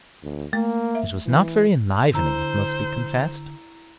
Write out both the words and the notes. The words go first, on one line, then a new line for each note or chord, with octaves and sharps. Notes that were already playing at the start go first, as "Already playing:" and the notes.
It was not very enlivening, it must be confessed.
D2
A3 A#3
E5
E3
D3 E4 C5 A#5 E6